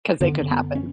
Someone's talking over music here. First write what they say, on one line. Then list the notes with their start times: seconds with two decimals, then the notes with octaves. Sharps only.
'Cause it could happen.
0.21 F#2 D3 B3
0.51 B3
0.75 C#4